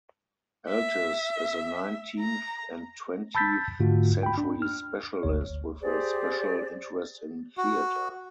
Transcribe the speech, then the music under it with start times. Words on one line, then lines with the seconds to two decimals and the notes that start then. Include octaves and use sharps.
Eltis is a nineteenth and twentieth century specialist, with a special interest in theatre.
0.69 E5
2.20 A#5
3.35 A5 B5 E6 G6 A6 B6
3.80 G#2 D3 A3 F4 F#4
4.23 G5 B5
4.38 D4
4.62 F6
5.23 G1 D2 C#5
5.81 G4 G#4 C5 D5
7.58 F#4